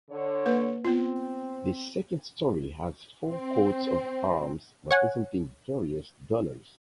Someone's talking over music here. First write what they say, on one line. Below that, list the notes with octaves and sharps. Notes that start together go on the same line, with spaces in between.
The second story has four coats of arms representing various donors.
D3 C#5
A#3 B4
B3 C4 F4
C4
C#5 F#5 G#5